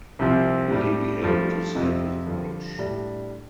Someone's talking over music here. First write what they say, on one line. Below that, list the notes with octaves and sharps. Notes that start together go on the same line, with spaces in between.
Will he be able to save his marriage?
C2 C3 F3 C4
A2 G3 D4
G2 F3 A3
F2 C3 F3
G2 D3 F3
A2 G3 D4